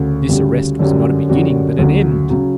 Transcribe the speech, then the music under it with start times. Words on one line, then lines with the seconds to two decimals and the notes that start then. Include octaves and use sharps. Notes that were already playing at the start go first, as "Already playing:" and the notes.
This arrest was not a beginning, but an end.
Already playing: D2 C#3
0.29 D2 C#3 G3
0.79 F#2 D3 G3 C#4 F#4
1.30 F#2 D3 G3 C#4 F#4
1.79 D2 C#3 F#3
2.30 C#3 F#3